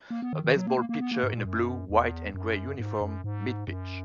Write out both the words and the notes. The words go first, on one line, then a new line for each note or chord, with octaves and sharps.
A baseball pitcher in a blue, white and gray uniform midpitch.
A#3
B3
D#3
D#3
F#3
A#3
A#3
A#3
B3
A#3
G#2
A#2
F#2
E2
F#2
G#2
F#2
G#2
F#2